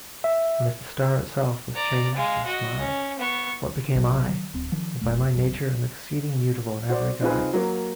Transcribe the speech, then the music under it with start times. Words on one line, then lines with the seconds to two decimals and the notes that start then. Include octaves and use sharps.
And if the star itself was changed and smiled, What became I, who by my nature am Exceeding mutable in every guise!
0.24 E5
1.75 D5 A#5
2.14 G#3 F5
2.46 F#4 D#5
2.80 C#4
3.19 B3 C#6
3.95 A#1 A2 F#3
4.27 D#3 F#3
4.54 D1 C4
4.72 D#3 F3
5.01 F1 F#2 A3
5.33 A1 F#2
6.90 F#4 C5 D5
7.21 C4 D#4 F4 G#4 B4
7.53 F#3 A#3